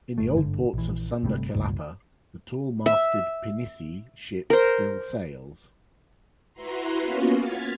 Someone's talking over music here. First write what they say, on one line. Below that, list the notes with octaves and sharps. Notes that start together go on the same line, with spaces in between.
In the old ports of Sunda Kelapa, the tall masted pinisi ship still sails.
G1 A3
G1 G#2 D3
A#1 E3
G1 C3 G3 A3
G1 C#2 G2 A#2
E5
A#4 C5
E4 F#4 B4 A#5 C6
A#3 B3 C#4 F4 F#4
F6 G#6 A6 B6